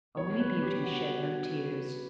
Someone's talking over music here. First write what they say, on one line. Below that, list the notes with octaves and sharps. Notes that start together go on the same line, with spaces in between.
Only Beauty shed no tears.
B2 G3 C#5
B4
G4
F#4